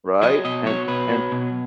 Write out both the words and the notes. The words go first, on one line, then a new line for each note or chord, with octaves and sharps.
right? And and
F#3 D#5
B2 D#5
F#3 C#5
B2 B4
F#3
B2